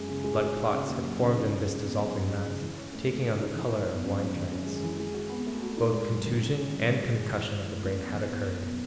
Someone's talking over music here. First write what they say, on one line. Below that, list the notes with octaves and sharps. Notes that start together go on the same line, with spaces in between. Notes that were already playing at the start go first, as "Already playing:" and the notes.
Blood clots had formed in this dissolving mass, taking on the color of wine dregs. Both contusion and concussion of the brain had occurred.
Already playing: F#2 G#3
C#3
G#3
F#4
D#4
C#3
D#2
F#3
C#3
D#4
G#3
C#3
B3
F#3
F#2
G#3
C#3
E3
C#4
A3
G#3
C#3
D#4
E3
D#4
B3
F#2
F#3
D#3
F#2
G#3
E3
G#3
F#4
B3
A3
F#4
D#4
G#2
F#3
D#3
C#3
C#4
F#3
G#2
G#3
D#3
E3
E4
A3
F#2
B3
E3
E2
F#1
B2